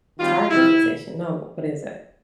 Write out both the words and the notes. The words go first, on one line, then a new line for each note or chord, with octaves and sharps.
Target fixation. No. What is that?
D#3 G3 C4 F4
C3 E3 G3 C4 E4
A#2